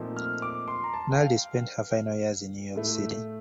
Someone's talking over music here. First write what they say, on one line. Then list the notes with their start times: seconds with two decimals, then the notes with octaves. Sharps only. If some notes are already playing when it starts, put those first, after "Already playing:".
Naldi spent her final years in New York City.
Already playing: A#2 F3 A3 C4 D#4
0.17 F6
0.42 D6
0.68 C6
0.84 A#5
0.94 A5
1.11 G5
1.21 F5
2.76 A2 A3